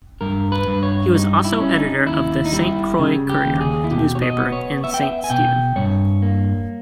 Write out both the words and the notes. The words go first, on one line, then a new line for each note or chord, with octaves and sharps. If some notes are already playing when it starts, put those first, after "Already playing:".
He was also editor of the "Saint Croix Courier" newspaper in Saint Stephen.
G2 A#4
B4
G2
C#5
G3 D#4
G4
E4
C#4
D#4
D#2 E4
D#4
G3 E4
C#3
G4
D#2
G#4
E4
B2 G4
C#5
D#5
B3
C#5
B3 E5
G5
E5
G#5
B2 G5
G2 C#5
A#3